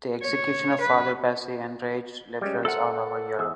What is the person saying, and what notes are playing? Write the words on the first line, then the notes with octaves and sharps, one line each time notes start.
The execution of Father Bassi enraged Liberals all over Europe.
C#5
B4
G3 G#3 C#4
A4 A#4 C5 E5 F#5
E2 G#4 E5